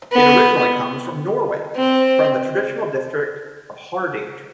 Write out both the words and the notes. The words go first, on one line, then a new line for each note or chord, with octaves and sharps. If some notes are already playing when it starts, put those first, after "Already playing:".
It originally comes from Norway, from the traditional district of Hardanger.
B3
C4